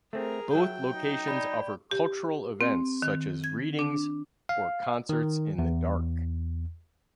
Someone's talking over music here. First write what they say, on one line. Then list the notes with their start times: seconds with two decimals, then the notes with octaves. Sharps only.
Both locations offer cultural events such as readings or concerts in the dark.
0.13 A3 C4 G#4 A#4
0.55 F#3 E5 G5
0.92 D#4
1.28 D5 B5
1.91 G4
2.61 C4
3.02 D#3
3.44 G#6
3.79 D4
4.49 F5
5.09 D#3
5.59 E2